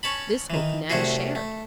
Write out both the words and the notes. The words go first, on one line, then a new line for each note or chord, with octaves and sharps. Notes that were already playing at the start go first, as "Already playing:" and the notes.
This hope Nan shared.
C#4 C#5 A5 B5
D#3 E3
C2 C3 A3 C#4 F#4 G#4
A3